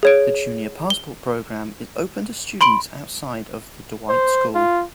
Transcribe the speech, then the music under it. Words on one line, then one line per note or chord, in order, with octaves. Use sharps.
The Junior Passport Program is open to students outside of The Dwight School.
G#4 C#5 D7
G7
B5 C6 D7 F#7
C5
F4